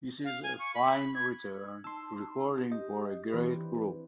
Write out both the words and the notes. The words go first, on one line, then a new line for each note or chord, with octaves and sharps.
This is a fine return to recording for a great group.
F5
G#5
C#6
B5
G#6
D#4 A5 C6 E6
G4 D#5
E3 C4 D4 B4